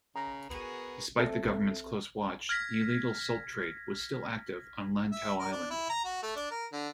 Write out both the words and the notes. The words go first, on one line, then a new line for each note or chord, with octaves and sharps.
Despite the government's close watch, illegal salt trade was still active on Lantau Island.
C#3 A#5
B3 F#4 G#4 A#4
C4 A4 E5
F6 G#6 A#6 B6
E5
A#4
D4
E4
A#5
F#4
A3
D4
A#4
D3